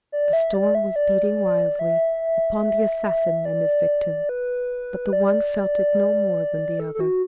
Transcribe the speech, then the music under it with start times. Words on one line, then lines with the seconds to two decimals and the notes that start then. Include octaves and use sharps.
The storm was beating wildly upon the assassin and his victim; but the one felt it no more than the other.
0.12 D5
0.33 E5
0.54 D5
0.75 E5
0.96 D5
1.79 E5
3.45 D5
4.29 B4
5.13 D5
6.80 A4
6.95 A4
7.00 F#4